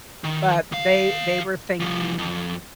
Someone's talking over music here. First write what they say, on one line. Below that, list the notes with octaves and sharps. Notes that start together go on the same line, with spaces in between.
But they they were thinking
D#3
D#3 F5
C2 F3
F2